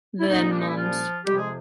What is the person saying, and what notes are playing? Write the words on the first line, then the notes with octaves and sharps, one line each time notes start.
Then mons.
E4
C2 A#2 G3 A#3 C#4 D#4
D4
D#4
E4
F3 F4
F2 C3 F3 G3 G#3 G4
G#3 G#4